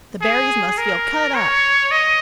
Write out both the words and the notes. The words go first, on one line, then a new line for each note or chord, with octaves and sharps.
The Barrys must feel cut up.
G#4
A#4
C#5
D#5